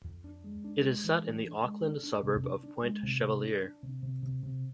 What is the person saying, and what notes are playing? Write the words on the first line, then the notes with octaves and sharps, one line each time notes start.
It is set in the Auckland suburb of Point Chevalier.
F2
D4
G#3
D4
G#3
E3
D4
D4
G#3
D4
D4
C3
D4
D4
G#3
C3
C3
D4
D4
C3
C3
C3
C3